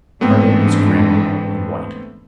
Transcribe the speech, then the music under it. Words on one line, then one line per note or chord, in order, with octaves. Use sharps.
Carter was grim and white.
G#2 D3 E3 A3 B3 C4